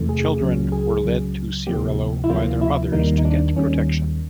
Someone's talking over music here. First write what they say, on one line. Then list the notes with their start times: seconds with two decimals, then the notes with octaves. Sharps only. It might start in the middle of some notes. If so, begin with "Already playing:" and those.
Children were led to Ciarallo by their mothers to get protection.
Already playing: E2 C3 E3 A3
0.09 G#4
0.25 G#4
0.40 C#2 C#3 F#3
0.72 G#4
1.04 C#2 C#3 F#3
1.67 D2 C3 F3 A#3 G4
2.24 E4
2.30 D2 C3 F3 A#3 F4
2.61 E4
2.92 D#2 D#3 G3 A#3 D#4
3.18 D#4
3.25 D4
3.56 D#2 D#3 G3 A#3 C#4